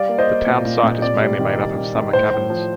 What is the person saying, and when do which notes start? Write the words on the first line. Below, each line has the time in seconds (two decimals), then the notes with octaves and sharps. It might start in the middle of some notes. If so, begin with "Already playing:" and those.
The townsite is mainly made up of summer cabins.
Already playing: G3 D5 F5
0.09 A#3
0.18 C5 D#5
0.27 A#3
0.46 A#2
0.65 A#2
0.83 A#2
1.02 C3 D5
1.20 G3
1.39 D#3
1.58 G3
1.76 D#3
1.95 D#3
2.13 A2 C5
2.33 A2
2.50 F3